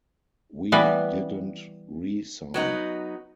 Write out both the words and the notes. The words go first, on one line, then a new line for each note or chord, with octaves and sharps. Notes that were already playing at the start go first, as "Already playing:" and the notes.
We didn't re-sign.
E3 G3 B3
F#3 B3 D#4